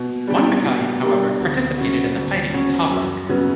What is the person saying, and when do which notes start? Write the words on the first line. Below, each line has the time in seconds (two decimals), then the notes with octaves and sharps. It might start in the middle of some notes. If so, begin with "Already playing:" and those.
One battalion, however, participated in the fighting at Tobruk.
Already playing: B2
0.27 G3 D4 G4
0.65 B2
1.03 G3 D4 G4
1.40 D2
1.78 C#3 F#3 C#4 F#4
2.16 D2
2.53 C#3 F#3 C#4 F#4
2.91 F#2
3.29 C#3 F#3 B3